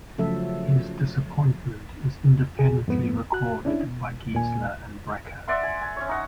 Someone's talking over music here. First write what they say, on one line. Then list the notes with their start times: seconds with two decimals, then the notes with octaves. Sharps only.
His disappointment is independently recorded by Giesler and Breker.
0.18 C#3 F3 F#3 A3 A4 E5
2.59 G#4
2.88 F2 G#2 B3
3.33 F#4 F#6
3.65 C#4 D4 E4
3.87 B2
4.33 D#2 A#2 G#5
5.48 D5 E5 F#5 C6
5.63 G#5
5.81 G#5
5.96 C#4 C#5
6.09 D#4 F#5